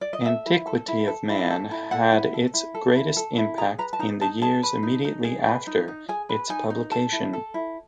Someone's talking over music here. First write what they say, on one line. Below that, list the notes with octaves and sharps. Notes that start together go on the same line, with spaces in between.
"Antiquity of Man" had its greatest impact in the years immediately after its publication.
D5
D#5
A4 E5
E4
A4
E4
A4
E4
A4
E4
A4 F#5
E4
A4
E4
A4
E4
A4
E4
G#4 A#5
B4 A#5
A5
D#4 A#5
D#4 A5
G#4 A5
B4
D#4
D#4
G#4
B4
D#4
D#4
G#4 G#5
B4
D#4 G#5
D#4
A4 A5
E4
A4
E4